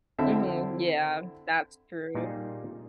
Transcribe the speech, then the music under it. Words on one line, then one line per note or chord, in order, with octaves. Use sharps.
Mhm. Yeah. That's true.
D3 C4 E4 E5 A5
A#2 G3 A#3 D#4 F4 G#4